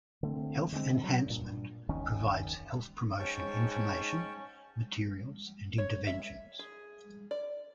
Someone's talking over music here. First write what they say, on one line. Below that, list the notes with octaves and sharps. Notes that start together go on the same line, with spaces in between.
Health Enhancement provides health promotion information, materials and interventions.
D3 A3 C4
D3 G#3 A3 C4
F#3
G2 A#2
F#1 D#2 D#3 C#4
G#2 C#4 C#5 G5 A5 C#6
C#5
E5
G#4
D5